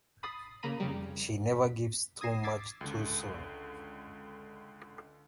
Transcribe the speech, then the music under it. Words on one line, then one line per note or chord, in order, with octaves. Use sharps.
She never gives too much too soon.
B5 D#6 A6 C7
C#3 A#3 A#5 B5 D#7
F2 C#3 G3
B6
D#6 G#6 A#6 C7 D#7 E7
D6 E6 G#6 A6 B6 C7
C#2 D3